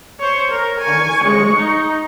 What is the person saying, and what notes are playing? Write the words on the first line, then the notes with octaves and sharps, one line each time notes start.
Only four?
C5 C#5
A#4
G#5 C#6
G#3 C#6
D#4